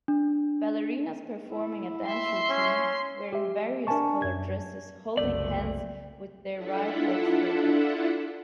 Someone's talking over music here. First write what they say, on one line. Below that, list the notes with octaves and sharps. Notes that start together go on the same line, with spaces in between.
Ballerinas performing a dance routine wearing various colored dresses holding hands with there right legs held up.
D4
E4
E5 C6
C#4
G4 E5
D4 A#4 E5 G#5 A5 C#6
F#2 G#6
F#1 C2 A3 D5
D4 E4 F4 A4 E5 F#5